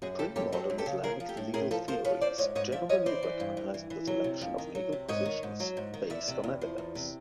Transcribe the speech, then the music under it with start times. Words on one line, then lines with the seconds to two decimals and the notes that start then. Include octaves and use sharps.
Premodern Islamic legal theories generally recognized the selection of legal positions based on evidence.
0.02 F#2 F#4 G#4
0.19 C#3 G4 A4
0.36 F#2 G4 A4
0.52 F#3 G4 A4
0.70 F#2
0.78 G4 A4
0.86 C#3
1.03 F3 G#4 A#4
1.20 F3
1.29 G4 A4
1.37 A2
1.54 A2 G#4 A#4
1.71 F3 A4 B4
1.88 F3 A#4 C5
2.05 F3 B4 C#5
2.21 F3 C5 D5
2.38 G#2 C#5 D#5
2.55 G#2 C#5 D#5
2.72 F3 D5 E5
2.89 F3 C#5 D#5
3.06 E3 C5 D5
3.23 E3
3.40 G2
3.57 G2
3.74 E3
3.90 E3
4.07 F#3
4.24 C3
4.41 F2
4.58 D#3
4.75 F#3
4.92 C3
5.08 G#2 C#5 D#5
5.25 D#3
5.43 G#2
5.60 F#3
5.77 G#2
5.94 D#3
6.10 E2 D5 E5
6.28 C3
6.44 E2
6.61 F3
6.78 E2
6.95 C3